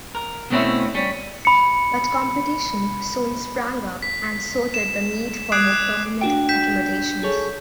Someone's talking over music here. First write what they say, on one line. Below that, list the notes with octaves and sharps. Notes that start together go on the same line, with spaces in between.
But competition soon sprang up and so did the need for more permanent accommodations.
A#4
B2 A3 C4 C#4 E4
G3 C#4
B5 C#7
B6
E7
D6 D#6 F#6 G#6 C7 D7
D4 F#4 G5
G6 B6 E7
G#4 A4 C#5